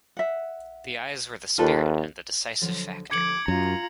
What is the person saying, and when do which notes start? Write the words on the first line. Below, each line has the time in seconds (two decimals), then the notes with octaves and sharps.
The eyes were the spirit and the decisive factor.
0.17 E5 F#5
1.58 D#2 F4 A4 B4
2.61 D3 F3 F#3
3.11 D3 F3 D6 G#6 C#7 F#7
3.48 F#2 D#4 F4 A#5